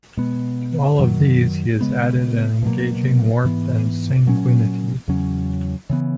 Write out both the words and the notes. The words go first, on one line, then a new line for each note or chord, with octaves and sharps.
To all of these, he has added an engaging warmth and sanguinity.
B2 G#3 B3
F#2 D#3 F#3
C#3 G#3 B3
B2 F#3 A#3
G#2 E3 B3
A#2 F#3 C#4
E2 C#3 F#3 C#4
C#3 E3 B3